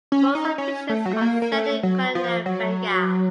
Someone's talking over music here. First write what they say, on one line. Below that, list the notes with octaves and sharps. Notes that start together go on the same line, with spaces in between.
Most of the fictions are set in colonial Bengal.
C#4
D#4
C#4
A3
F#3
A3
A#3
A#3
A3
F#3
F3
F#3